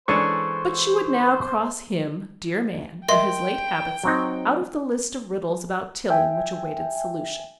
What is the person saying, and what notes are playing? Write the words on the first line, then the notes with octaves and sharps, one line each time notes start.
But she would now cross him--dear man--and his late habits, out of the list of riddles about Tilling which awaited solution.
E3 G#3 C#4 D4 G#4 A4 C5 C#6
A#4 D#5 E5 G5 C6
F#3 C4 D#4
E5 G5 G#5